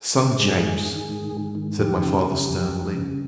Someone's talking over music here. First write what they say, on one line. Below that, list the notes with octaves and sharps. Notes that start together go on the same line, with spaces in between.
Son James! said my father sternly.
C#3
G#2 G#4
D#3
D#3
G#2
G#2
D#3
F2 G4
C#3
C#3
F2
F2
C#3